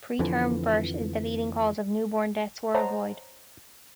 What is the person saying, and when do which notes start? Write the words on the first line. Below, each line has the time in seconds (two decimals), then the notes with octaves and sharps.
Preterm birth is the leading cause of newborn deaths worldwide.
0.19 F2 D3 E3 F3
2.74 C5 C#5 D#5 F#5 A5 A#5